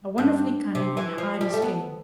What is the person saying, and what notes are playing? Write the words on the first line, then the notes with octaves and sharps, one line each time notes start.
A wonderfully cunning and hardy scheme!
G2
C3
E3
F3
G3
A3
B3